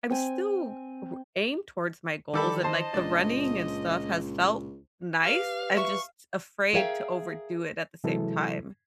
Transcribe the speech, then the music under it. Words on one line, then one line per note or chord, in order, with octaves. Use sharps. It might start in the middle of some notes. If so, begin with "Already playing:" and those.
I'm still w aimed towards my goals and, like, the running and stuff has felt nice. I'm just afraid to overdo it at the same time.
C4 G#5
D#3 E3 G3 D#4 A4 B5 D6
C5 D#5 A5
C#2 A#2 D4 D5
G4 B4 F5
E5 C#6
G#4 A#4 C#5 E5 F5 G5
C3 E3 F#3 G#3 E4 A4